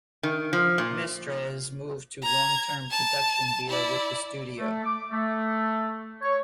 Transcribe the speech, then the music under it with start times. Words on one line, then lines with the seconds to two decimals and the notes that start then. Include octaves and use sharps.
Mestres moved to long term production deal with the studio.
0.23 D#3
0.53 F3
0.78 A#2
2.22 A#5 G#6
2.91 A5
3.70 E4 D5
4.58 A3
4.84 D6
5.11 A3
6.22 C#5